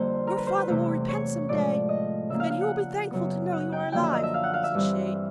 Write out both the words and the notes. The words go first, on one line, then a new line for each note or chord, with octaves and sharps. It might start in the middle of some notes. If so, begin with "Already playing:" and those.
'Your father will repent some day, and then he will be thankful to know you are alive,' said she.
Already playing: F2 D3 G3 A#3 C5
A#4
B4
C5
B4
E2 C3 E3 A3 C4 C5
C#5
A2 F3 G#3 D5
D#5
C#3 F3 A#3 E5
F5
F5
F#5
F#2 C#3 F#3 B3
F#5
G5
F#2 D3 F3 A#3 G5
E5
D#5
E5
F5
F#5
F5
E5
G2 E3 G3 C4